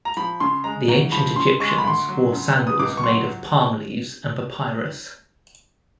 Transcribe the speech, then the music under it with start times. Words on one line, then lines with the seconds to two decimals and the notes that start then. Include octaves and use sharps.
The ancient Egyptians wore sandals made of palm-leaves and papyrus.
0.05 A#5
0.17 F3 B5
0.40 C#3 C6
0.64 G#3 A#5
0.88 D2 A#5
1.12 F3 B5
1.36 C#3 C6
1.60 G#3 C#6
1.69 C6
1.78 B5
1.84 D2 C6
2.09 F#3
2.32 C#3
2.56 B3
2.67 D#6
2.79 C#2 D6
2.97 C#6
3.04 F#3 C6